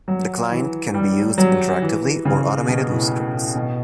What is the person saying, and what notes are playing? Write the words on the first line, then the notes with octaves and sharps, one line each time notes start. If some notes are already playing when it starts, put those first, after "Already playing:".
The client can be used interactively or automated with scripts.
F#3
E3
G3
F#3
E3
C#3
B2
A2
A2
A2
B2